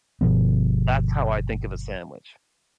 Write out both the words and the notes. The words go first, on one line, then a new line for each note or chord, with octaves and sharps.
That's how I think of a sandwich.
G1 B2 F3 B3